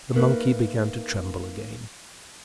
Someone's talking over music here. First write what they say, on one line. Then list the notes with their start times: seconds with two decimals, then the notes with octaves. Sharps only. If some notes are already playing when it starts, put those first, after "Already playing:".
The monkey began to tremble again.
0.12 A3 A#3 D#4 G#4 A#4 B4